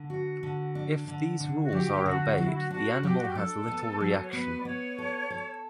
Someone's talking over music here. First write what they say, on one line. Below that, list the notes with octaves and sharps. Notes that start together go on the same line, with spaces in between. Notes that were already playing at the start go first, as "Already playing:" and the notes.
If these rules are obeyed the animal has little reaction.
Already playing: D3
F#4
D3
D4
D3
D3
F#4
F#3 G4
D3 F#4
F#3 F#4
E4
F#4
D4 F#4
F#3 G4
F#4
G4
D4 A4
B3
F#3
C#5
B3 B4
D5
B3 C#5
A4
A4